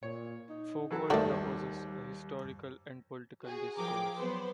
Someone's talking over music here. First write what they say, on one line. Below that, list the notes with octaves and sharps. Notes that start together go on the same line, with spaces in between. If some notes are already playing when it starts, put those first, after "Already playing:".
Foucault proposes a "historical and political discourse".
A#2 C#5
D#4
E3 F#3 A4
D#2 D#3 G3 A3 F#4 A4 C5 D5
F#4 G#4
F3 G#4 A#4 G5 D6
F#3 B3 B4 C5